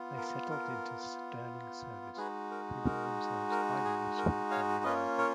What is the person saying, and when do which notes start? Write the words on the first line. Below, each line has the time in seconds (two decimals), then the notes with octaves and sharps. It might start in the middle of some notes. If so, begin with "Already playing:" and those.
They settled into sterling service, proving themselves highly useful and reliable.
Already playing: B3 F4
0.17 A#4
0.51 A#4
2.17 G#3 D#4 F#4 G#4 B4
2.51 A#4
2.85 A#4
3.51 A#4
3.85 G#4
4.18 A#4
4.51 C#5 F5
4.84 A#3 C#4 F4 B4 D#5
5.18 A#4 C#5